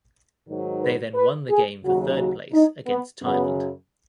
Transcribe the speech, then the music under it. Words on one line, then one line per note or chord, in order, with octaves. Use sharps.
They then won the game for third place against Thailand.
G#2 D#3 F#3
B4
B4
G#4
D#2 C#3 F#3 F#4
F#4
D#4
B3
F#2 C#3 F#3 B3